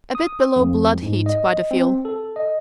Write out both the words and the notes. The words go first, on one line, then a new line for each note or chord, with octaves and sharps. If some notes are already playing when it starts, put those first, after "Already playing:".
A bit below blood-heat by the feel.
D#6
F2
G#2
D#5
C4
A4
D#5